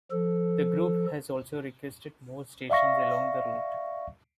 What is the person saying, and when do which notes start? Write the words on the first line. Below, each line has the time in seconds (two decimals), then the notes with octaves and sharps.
The group has also requested more stations along the route.
0.11 F3 A4
2.70 D5 E5 F5 C#6 A#6